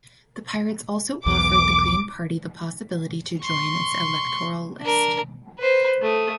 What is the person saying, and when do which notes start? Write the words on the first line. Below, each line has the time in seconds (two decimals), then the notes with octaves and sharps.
The Pirates also offered the Green Party the possibility to join its electoral list.
1.26 B1 E2 B2 D6
3.42 C6 C#6
4.81 D4 A#4
5.59 B4 C5
6.02 A3 D#6